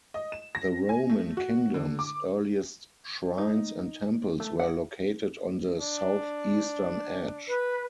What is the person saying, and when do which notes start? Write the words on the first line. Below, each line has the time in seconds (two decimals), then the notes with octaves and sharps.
The Roman Kingdom's earliest shrines and temples were located on the southeastern edge.
0.14 D#5
0.32 E7
0.55 A#6
0.89 G#5
1.10 A3
1.37 F#4
1.74 D3
1.99 D6
3.38 D#4
4.40 A3
4.60 F#5
5.80 D4
7.47 B4